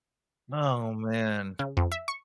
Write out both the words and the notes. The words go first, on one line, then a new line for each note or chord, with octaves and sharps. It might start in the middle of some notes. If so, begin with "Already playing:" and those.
Oh, man.
C#3
F2
E5
C#6